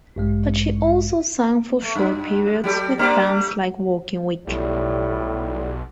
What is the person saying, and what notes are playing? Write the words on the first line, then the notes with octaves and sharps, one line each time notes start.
But she also sang for short periods with bands like Working Week.
A1 G2 G#3
A3
F#2
F#3 G4 A4
G3 A3 D5
B1 A2 G3